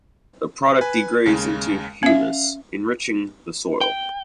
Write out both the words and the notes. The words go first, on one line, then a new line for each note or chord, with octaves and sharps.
The product degrades into humus, enriching the soil.
B4 G#5
D#2 C#3 G#3
C#4 E5 F5
G5